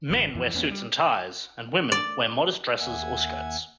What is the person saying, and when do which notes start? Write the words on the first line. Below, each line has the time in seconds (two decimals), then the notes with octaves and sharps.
Men wear suits and ties, and women wear modest dresses or skirts.
0.10 G#1
0.35 F2 E3
0.54 E2 A#3 B3 C#4
0.71 G3
1.92 D5
2.78 D#2 A#3 E5 F#5 G#5 G#6